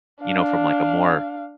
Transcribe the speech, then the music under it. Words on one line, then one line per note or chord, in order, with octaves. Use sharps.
you know, from, like, a more
D4 F5